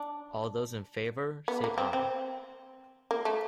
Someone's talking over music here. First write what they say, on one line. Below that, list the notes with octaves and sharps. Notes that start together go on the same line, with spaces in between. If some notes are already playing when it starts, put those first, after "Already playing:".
All those in favour, say Aye.
Already playing: D4
B3
A#3
C4
C4
A#3
A3